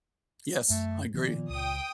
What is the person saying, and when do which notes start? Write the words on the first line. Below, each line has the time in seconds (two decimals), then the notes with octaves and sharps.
Yes, I agree.
0.70 F#2 A3
1.14 A#2 D#3 F3 B3
1.50 C#2 G5 D#6